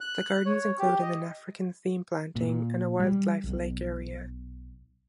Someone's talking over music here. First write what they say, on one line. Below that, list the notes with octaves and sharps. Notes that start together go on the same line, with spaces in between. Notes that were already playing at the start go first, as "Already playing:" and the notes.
The gardens included an African theme planting and a wildlife lake area.
F#6
C#5
G4
D#5
A#2
G3
B1